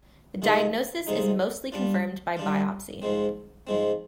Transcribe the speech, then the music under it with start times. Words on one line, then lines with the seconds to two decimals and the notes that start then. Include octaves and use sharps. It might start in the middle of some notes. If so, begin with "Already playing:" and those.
The diagnosis is mostly confirmed by biopsy.
0.42 C3 F3 G#3 D#4
1.07 C3 F3 G#3 D#4
1.72 G3 D4 F4
2.37 G3 D4 F4
3.02 G#2 F3 G#3 C4
3.67 G#2 F3 G#3 C4